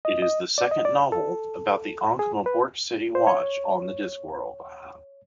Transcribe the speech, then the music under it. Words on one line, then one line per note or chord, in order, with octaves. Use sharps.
It is the second novel about the Ankh-Morpork City Watch on the Discworld.
D#5
D#5
D5
D#5
D5
A4
G#4
B4
C5
C#5